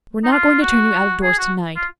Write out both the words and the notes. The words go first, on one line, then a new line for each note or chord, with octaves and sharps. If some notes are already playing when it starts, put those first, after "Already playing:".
We're not going to turn you out-of-doors to-night.
D#4
F4
F#4
G#4
F#4
F4